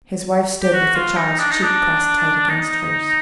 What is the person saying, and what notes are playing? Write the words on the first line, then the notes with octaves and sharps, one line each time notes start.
His wife stood with the child's cheek pressed tight against hers.
G4
F#4
F4
D#4
D4
D#4
D4
D#4